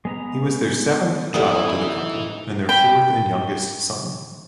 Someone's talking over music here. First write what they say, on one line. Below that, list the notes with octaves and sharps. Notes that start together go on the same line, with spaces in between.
He was their seventh child to the couple and their fourth and youngest son.
G#3 B3 A#5
E3 G3 A3 B3 D#4 E4 D#6
G5 B5